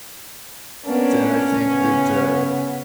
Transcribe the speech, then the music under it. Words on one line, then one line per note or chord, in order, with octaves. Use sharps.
then I think that, uh
A#3 B3 C#4 D4
C#3 B3